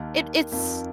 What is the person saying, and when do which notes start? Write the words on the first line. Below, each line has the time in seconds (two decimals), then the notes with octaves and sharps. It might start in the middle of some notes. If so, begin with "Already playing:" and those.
it it's
Already playing: D#2 D#3 D#4 A#4 F5 A5
0.52 F2 F3 D#4 A#4 F5 A5